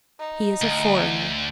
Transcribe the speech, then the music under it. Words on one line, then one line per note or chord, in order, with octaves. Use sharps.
"He is a foreigner."
D#4
D2